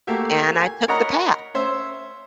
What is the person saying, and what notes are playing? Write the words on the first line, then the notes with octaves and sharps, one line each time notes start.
and I took the path.
A3 A#3 F#4 G4 E5
G#5
A#4 C#5 D#5 F#5 A#5 B5
C#4 C5 E5